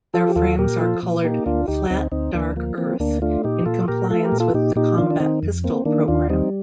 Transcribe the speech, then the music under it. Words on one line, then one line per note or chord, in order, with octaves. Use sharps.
Their frames are colored "Flat Dark Earth" in compliance with the Combat Pistol program.
F3 F4 A4
G4
D#2 F4 A4
A#2 G4 A#4
F3 F4 A4
A#2
A#3 D#4 G4
D2 D4 F4
D2 D#4 G4
D2 C4 D#4
D2 C4 D#4
D2 A#3 D4
F3 A#3
A#3 C4
D2 A#3 D4
A3 D4 F4
A#2 D#4 G4
A#2 F4 A4
A#2 G4 A#4
A3 F4 A4
G4 A#4
A#2
F4 A4
A#2 D#4 G4
A#2 D#4 G4
D#3 D4 F4
D4
D#3 C4 D#4
F2
A#3 C4
D#3 A#3 D4
D#2 D4 F4
G3 C4 D#4